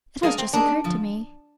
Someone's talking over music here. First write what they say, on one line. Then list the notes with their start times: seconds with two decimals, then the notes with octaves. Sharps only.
It has just occurred to me!
0.23 G#3 A#3 D4 G#4 D5 F5
0.38 C4
0.53 A#3 D4 D#4 G#4 D#5
0.84 D3 F3